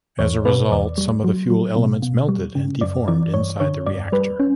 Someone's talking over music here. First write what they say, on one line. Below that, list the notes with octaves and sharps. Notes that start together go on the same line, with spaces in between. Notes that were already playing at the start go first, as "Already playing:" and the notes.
As a result, some of the fuel elements melted and deformed inside the reactor.
E2 C#5
B2 B4
E2 D5
G3
F#3
F#3
B2
B2
G3
C#3
F#2 D5
E3 D5
G2 C#5
D3 C#5
G2 D5
G3 B4
C#4